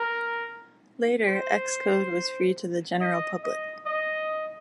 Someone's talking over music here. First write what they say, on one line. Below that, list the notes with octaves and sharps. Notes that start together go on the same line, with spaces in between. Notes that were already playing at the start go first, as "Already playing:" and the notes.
Later, Xcode was free to the general public.
Already playing: A#4
C5
D#5
D#5
D#5